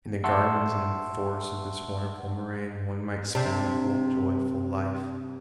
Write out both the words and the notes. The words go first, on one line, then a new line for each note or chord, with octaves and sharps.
In the gardens and forests of this wonderful moraine one might spend a whole joyful life.
E5 F#5 A5 C6 C#6 E6
C3 D4